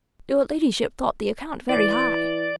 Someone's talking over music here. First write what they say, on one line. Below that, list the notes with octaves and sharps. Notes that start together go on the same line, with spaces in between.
"Your ladyship thought the account very high."
E3 D5